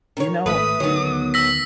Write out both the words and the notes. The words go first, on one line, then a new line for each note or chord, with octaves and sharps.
You know,
D#3 C#5
G#1 A3 B4 D#6 B6
D2 D#3 F#3 B3
E6 A#6 B6